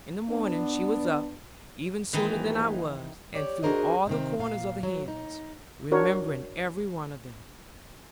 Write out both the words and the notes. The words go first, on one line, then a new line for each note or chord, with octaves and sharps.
In the morning she was up, even sooner than I was, and through all the corners of the hens, remembering every one of them.
B3 D4
A#1 D#2 G#2 D#3 E3 D#4
G4 C#5 D5
D4 F#4 G#4 A#4 C5 D#5
C3 D#3 C4
A#2 F5
F#3
D#4
D4 F#4 A#4 C#5